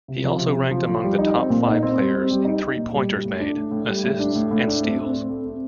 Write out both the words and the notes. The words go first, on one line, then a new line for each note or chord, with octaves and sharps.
He also ranked among the top five players in three-pointers made, assists, and steals.
C3
F3
C3
C3
F3
F3
G3
D#4
C4
A#2
D#4
C4
G3
C4
G3
D#4
D#4
A#2
G3
A2
A2
D4
A2
A2
G3
A2
D4
A2
A2
D4
C4
C4
C4
A3
C4